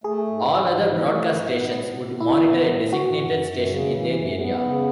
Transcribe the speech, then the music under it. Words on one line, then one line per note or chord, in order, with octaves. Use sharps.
All other broadcast stations would monitor a designated station in their area.
A3 G#4
G#2
G#2
E3
A3
G#2
B3
A2
A2
E3 E4
B3
A2
E3 F#4
F#2
F#2
C#3
E3
F#2
B3
C#3